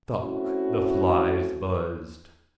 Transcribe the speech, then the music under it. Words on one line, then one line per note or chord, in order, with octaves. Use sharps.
Stuck, the flies buzzed.
A3 C4 C#4 E4 F#4